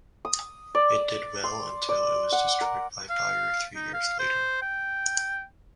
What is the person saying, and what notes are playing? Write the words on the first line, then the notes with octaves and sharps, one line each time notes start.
It did well until it was destroyed by fire three years later.
D#6
D5
C6
D5
F#5
A#4
F5
D#4
F5
C5
G5